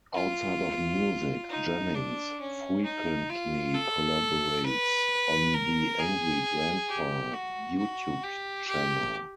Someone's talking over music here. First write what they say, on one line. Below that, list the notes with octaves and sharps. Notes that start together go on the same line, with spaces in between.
Outside of music, Jennings frequently collaborates on The Angry Grandpa YouTube Channel.
F4
D#4
D4
C#4
D#4
F4
A4
B4
A#4
G#4
G4
F#4
F#4
G4
G4